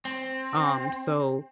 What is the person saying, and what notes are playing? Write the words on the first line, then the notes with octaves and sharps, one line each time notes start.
um, so
C4